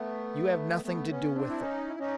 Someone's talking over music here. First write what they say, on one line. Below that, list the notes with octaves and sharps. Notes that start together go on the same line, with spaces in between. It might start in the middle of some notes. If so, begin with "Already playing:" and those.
You have nothing to do with it.
Already playing: A3 B3
A3 B3
B3 C#4
C4 D4
E4
C#4 D#4
E4
C#4 D#4